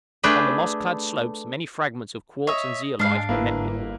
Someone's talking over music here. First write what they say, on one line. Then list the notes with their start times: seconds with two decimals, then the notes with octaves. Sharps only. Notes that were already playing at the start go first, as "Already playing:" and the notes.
Upon the moss-clad slopes many fragments of quartz and zeolite were met with.
0.23 A3 D4 G#4 B4 G5
2.47 C#5 D#5 E5 D#6
2.99 G#2 G#3 D4 F5
3.29 G1 A#3 E4 B4